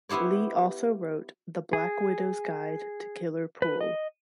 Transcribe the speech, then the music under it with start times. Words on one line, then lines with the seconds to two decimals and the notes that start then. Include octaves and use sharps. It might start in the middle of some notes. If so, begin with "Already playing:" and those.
Lee also wrote "The Black Widow's Guide to Killer Pool".
0.09 B3 E4 G4 C5 C#5
1.73 G#4
3.62 B4
3.81 D#5